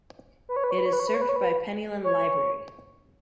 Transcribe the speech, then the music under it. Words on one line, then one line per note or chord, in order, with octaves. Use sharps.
It is served by Penylan Library.
B4
C#5
B4
C#5
B4
C#5
B4
C#5
B4
C#5
B4
C#5
B4
C#5